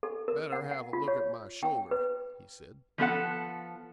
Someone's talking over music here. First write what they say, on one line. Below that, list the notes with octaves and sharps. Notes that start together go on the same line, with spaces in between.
'Better have a look at my shoulder,' he said.
A4
A#4
F#5
F#5
F4
C#5
G5
B4
F3 B3 A4 F#5